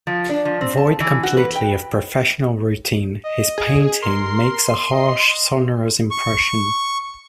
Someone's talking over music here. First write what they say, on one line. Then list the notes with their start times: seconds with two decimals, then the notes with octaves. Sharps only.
Void completely of professional routine, his painting makes a harsh, sonorous impression.
0.07 F3
0.29 D4
0.45 F3
0.61 C4
0.77 A5
1.00 E3
1.23 F#4
1.37 B4
1.55 G5
3.25 D#5
3.58 G#4
4.03 A#4 C6
4.93 D#5
6.11 C#6